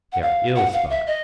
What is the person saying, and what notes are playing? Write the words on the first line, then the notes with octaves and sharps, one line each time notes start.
They are ill spoken.
F#5
F5
F#5
F5
E5
D#5